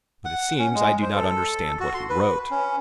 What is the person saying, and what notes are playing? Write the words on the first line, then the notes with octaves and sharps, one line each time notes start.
But it seems I do not understand what he wrote.
F#5
C#4
G#3
C5
A4
F#4
C6
B4
C#4